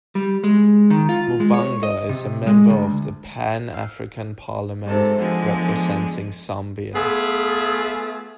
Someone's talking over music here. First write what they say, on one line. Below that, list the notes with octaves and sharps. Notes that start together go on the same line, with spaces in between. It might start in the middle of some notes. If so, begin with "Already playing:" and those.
Mubanga is a member of the Pan-African Parliament representing Zambia.
G3
G#3
D#3
F4
G#3
C#5
D#5
C3
G#3
D2
F5 E6
G#2 C3 A4 C5
D3 F3 G#3 B3 F4 G#4
A3 B3 F4 G#4